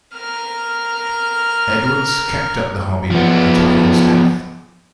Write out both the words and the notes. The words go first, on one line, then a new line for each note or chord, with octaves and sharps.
Edwards kept up the hobby until his death.
A#4 F6
F3 B3